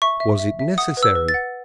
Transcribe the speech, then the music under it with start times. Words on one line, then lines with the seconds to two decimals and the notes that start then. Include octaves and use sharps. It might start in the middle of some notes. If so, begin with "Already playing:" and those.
Was it necessary?
0.02 E5 C#6
0.20 E5
0.39 E5
0.59 E5
0.78 F#5 D#6
0.97 B4
1.03 E6
1.15 B4
1.28 A6
1.34 F#5